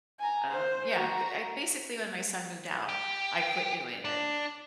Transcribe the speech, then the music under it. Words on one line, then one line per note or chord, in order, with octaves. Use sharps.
um, yeah, c I basically, when my son moved out, I quit doing it
G#5 A#5
C5
F#4 A#5
G4
D4